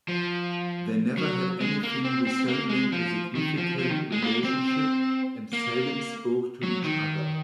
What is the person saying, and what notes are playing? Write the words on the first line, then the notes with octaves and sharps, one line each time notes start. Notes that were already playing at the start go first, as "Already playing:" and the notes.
They never had anything resembling a significant relationship and seldom spoke to each other.
F3
F#3
G#3
A#3
C4
C4
A#3
G#3
F3
D#3
F3
F3
D#3
G#3
A#3
C4
A#3
F#3
D#3